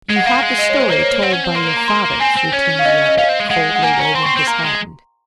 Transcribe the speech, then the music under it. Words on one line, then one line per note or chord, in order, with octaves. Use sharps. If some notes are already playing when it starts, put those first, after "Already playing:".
"You have the story told by your fathers," returned the other, coldly waving his hand.
G#3
F#5
A#3 F5
G#3
D#5
C#5
C5
A#3 C5
C#5
C5
C4 F#5
C#4
C4
A#3 C6
A#5
C6
C4 G#5
C4
C#4 C#5
F5
D#5
D#5
C#4 F5
C4
G#3
G#3 F#5
F#5
A#3 G#5
A#5
C#4
A#5
C4 C6
C#6
C4
C6
C4
A#3 A#5
G#3